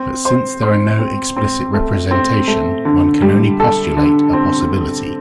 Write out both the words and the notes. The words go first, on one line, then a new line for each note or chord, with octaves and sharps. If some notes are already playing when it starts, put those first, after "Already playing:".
But since there are no explicit representation, one can only postulate a possibility.
Already playing: C4
C5
C5
C4
C4
A3
C4
A3
D3
G3
A4
D3
C4